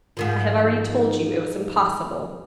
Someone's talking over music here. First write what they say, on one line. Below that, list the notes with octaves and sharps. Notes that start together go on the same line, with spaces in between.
"I have already told you it was impossible."
G#2 D#3 F3